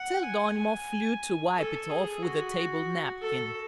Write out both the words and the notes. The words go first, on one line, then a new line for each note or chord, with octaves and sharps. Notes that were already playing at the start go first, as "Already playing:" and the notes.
Pseldonimov flew to wipe it off with a table-napkin.
Already playing: F#5
G#5
G#5
A4
G#4
F#4
A4